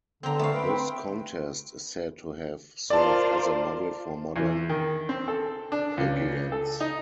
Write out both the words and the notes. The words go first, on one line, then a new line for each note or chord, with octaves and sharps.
This contest is said to have served as a model for modern pageants.
D3 B3 C4 G5 A#5
A3 F5 C#6 D#6
B4 G5 B5 C6
C4
F4 A#4 C5 D5 A5
E2
D#3
C4
A4
D4
C#2
A4
D#4